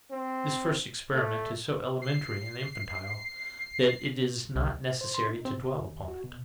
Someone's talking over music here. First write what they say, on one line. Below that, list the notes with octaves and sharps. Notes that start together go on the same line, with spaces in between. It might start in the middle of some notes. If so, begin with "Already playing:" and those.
This first experiment is so elementary and infantile that it is not necessary to dwell upon it.
C4
A3
C7
C2
C5
C6
D#4
C4
B2
D#2
F#4
B2